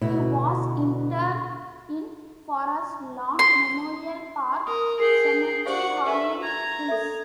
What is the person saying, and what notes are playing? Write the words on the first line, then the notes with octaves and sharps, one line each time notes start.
He was interred in Forest Lawn Memorial Park Cemetery, Hollywood Hills.
D2 B2 E4
C6
A#4 D#6
G#4 A#4 G5 C7
G4 C5 D5 F5 F#5 C#6
A4 B4 E5
A#5 G#6
A4 E5